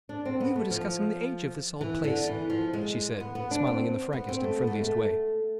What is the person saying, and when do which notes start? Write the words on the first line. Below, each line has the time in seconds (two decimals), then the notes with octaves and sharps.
"We were discussing the age of this old place," she said, smiling in the frankest and friendliest way.
0.09 D4
0.25 C4
0.40 B3
0.56 A3
0.71 F3
1.81 E3
2.04 D3
2.27 E3
2.50 F3
2.73 G#3
3.20 B3
3.35 B3
3.51 D4
3.67 C4
4.13 B3
4.29 C4
4.44 A3
4.60 B3
4.67 A3
4.75 G#3
4.84 A3